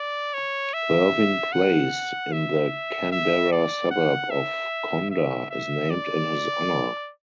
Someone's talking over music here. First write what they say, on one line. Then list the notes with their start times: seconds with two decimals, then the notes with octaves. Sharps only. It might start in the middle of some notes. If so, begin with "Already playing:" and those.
Ervin Place in the Canberra suburb of Conder is named in his honour.
Already playing: D5
0.34 C#5
0.73 E5
1.52 F#5
2.32 E5
3.12 E5
3.52 D5
3.91 F#5
4.31 E5
5.11 E5
5.50 E5
5.90 D5